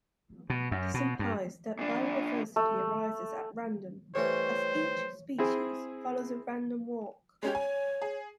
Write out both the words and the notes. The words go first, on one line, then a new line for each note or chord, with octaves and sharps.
This implies that biodiversity arises at random, as each species follows a random walk.
B2
F#2
B2
G2
A#2 D4
A3
A2 E3 G3 C5 C#5
C4 E4 G#4
G#3 C#4 G4 C#5
G#5
G#4